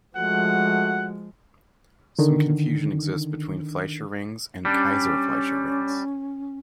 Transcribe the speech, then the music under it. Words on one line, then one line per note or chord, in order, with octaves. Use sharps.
Some confusion exists between Fleischer rings and Kayser-Fleischer rings.
F3 G#3 A3 F#4 F#5
D3 D#3
G3 C#4 D4